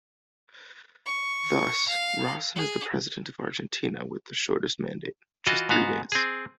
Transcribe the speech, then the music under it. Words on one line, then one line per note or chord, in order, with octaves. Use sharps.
Thus, Rawson is the president of Argentina with the shortest mandate, just three days.
C#6
F5
G#4
E3 F4 F#4 D#5
G#2 B3 F#4 F5
C4 G#4